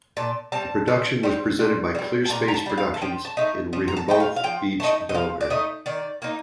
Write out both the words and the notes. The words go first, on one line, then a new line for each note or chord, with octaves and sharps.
The production was presented by Clear Space Productions in Rehoboth Beach, Delaware.
A#2 A5
G3 C4 A5
A#2
G3 C4
A#2
G3 C4
A5
A#2 A#5
A#5
A5
G3 C4
F5
A5
F3 G5
A5
A3 D#4
F3
A#5
A5
A3 D#4 G5
F5
F5
F3 G5
A3 D#4 A5
D#5
F3 F5
D5
A3 D#4 D#5
D#3 D5
A#3 D#4